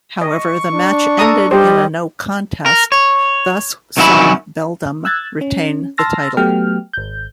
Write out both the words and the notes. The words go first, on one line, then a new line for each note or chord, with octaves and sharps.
However the match ended in a no contest thus saw Beldam retain the title.
D#5 C#6
D4
A4 A#5 D#6
G3 G4 C5 D#5
A#4
C#5
C2 D#3 F#3 C#4 E5 B5
E6 F#6 G#6 A6
C#4
A5 C6 E6 F6 A6 A#6
F#3 A3 B3 G4 G5 F6
G#1 G6